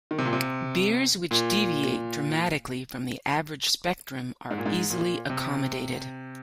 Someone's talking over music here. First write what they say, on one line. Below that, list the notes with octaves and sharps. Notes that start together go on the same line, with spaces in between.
Beers which deviate dramatically from the "average" spectrum are easily accommodated.
D#3
C3
A#2
C3
A#2
G#2
A#2
G#2
A#2
C3